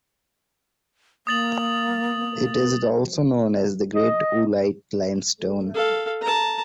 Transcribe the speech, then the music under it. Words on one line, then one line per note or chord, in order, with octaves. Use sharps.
It is also known as the Great Oolite Limestone.
A#3 D#6 A6 F#7
D#5
A4 F5
A5 A#5